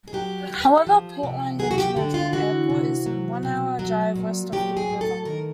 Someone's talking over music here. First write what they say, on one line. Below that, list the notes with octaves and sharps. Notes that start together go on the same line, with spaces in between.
However, Portland International Airport is a one-hour drive west of Hood River.
G#4
F#3 G4
D3
F3
C3
F#3 G#4
F#4
G4
D3 F#4
F4
E3 F#4
C3
F#3
B2
F#3
A#2
F#3 G4
G#4
A2
A4
D#3 A#4